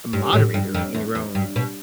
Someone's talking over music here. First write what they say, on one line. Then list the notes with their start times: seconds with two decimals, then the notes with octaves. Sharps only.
a moderator in your own
0.13 G2
0.33 A2
0.54 G2
0.74 F2
0.94 E2
1.15 E2
1.35 G2
1.56 B2